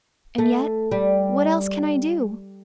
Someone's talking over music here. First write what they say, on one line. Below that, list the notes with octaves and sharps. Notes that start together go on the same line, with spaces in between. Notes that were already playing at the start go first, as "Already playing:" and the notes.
And yet, what else can I do?
A3
G3